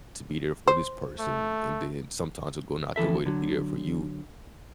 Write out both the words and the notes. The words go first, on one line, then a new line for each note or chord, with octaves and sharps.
to be there for this person, and then sometimes they're going out their way to be there for you,
C5
A3
F2 E3 A4 E5
D3 F#3